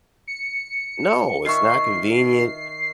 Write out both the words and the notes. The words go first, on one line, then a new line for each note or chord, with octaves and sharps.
No, it's not convenient
C#7
D#3 E5 C#6 C7